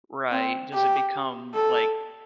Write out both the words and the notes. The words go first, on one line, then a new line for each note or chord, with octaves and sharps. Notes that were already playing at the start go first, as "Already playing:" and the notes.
Right, does it become, like,
C4
G4
A4